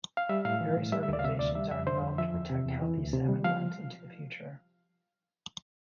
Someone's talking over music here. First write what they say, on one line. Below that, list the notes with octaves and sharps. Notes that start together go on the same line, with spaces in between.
Various organizations are involved to protect healthy salmon runs into the future.
F5
G3 E5
A2 F5
E3
A2
G3 E5
E5
D2 D5
F5
C3 E5
D2 D5
G3 E5
F2 E5
D3 C5
F2
F3 E5
E2
C3
E2
E3
D2
C3
G3
F3 F5